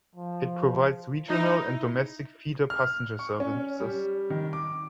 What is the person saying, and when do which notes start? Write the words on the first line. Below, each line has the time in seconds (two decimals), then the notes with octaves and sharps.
It provides regional and domestic feeder passenger services.
0.15 F3
1.29 D#4 E4
2.70 F6
3.19 C#6
3.40 C#4
3.80 G3
4.30 D#3
4.53 D6